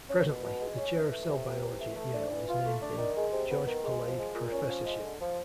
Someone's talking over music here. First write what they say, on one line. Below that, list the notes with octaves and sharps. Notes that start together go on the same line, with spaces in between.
Presently, the Chair of Cell Biology at Yale is named the "George Palade Professorship".
C#4
B2
B2
G#3
C#4
E3
A3
C3
C3
E3
A3
A3
D4
E3
F4
A3
D4
D#3
G#3
C3
B3
D#3
G#3
F3
G#3
A#2
C#4
F3
G#3
D3
F3